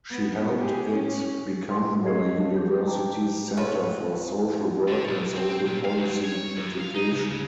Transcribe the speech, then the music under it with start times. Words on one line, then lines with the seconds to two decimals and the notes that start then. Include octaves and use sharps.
She helped it become the university's centre for social work and social policy education.
0.11 B3
0.57 G4 G#4
0.93 C#4
1.70 C6
2.04 G#4 C#5 D#5 F5 G#6 C7
2.40 A5
2.57 G4 G#4 D6 G6
2.87 G5 A5 A#5 D6
3.57 C#4 F4 F#4 A4 B4
4.88 D3
5.08 B1
5.35 C4
5.66 A#2
5.85 F5
5.98 C#2
6.24 C#5
6.57 F#2
6.80 F5
6.95 D#4
7.12 C#3